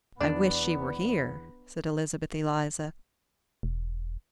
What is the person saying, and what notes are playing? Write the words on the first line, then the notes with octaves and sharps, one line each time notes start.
"I wish she were here," said Elizabeth Eliza.
E2 B3 D4 D5
E1